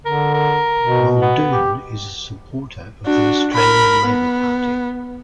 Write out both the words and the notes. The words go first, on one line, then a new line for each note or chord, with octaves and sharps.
Muldoon is a supporter of the Australian Labor Party.
D3 A#4
A#4
B2
B3
G4
D4 F#4
A#4 B5
B3